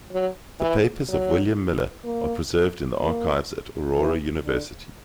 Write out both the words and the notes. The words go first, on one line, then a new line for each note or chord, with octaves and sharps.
The papers of William Miller are preserved in the archives at Aurora University.
F#3
E3
F#3
A#3
A#3
E3
D3